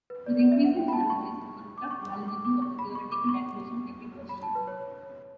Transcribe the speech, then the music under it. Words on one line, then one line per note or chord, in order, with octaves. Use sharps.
With increasing challenges, the construct validity of a theoretical definition can be questioned.
B4
D5
D5
E5
F#5
G5
B5
A5
C#6
D6
C#6
D6
D6
D6
C#6
B5
C#6
D6
C#6
B5
A5
B4
C#5